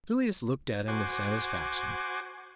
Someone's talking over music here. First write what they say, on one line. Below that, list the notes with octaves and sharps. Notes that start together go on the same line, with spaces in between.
Julius looked at him with satisfaction.
F#4 C5 G#5 D6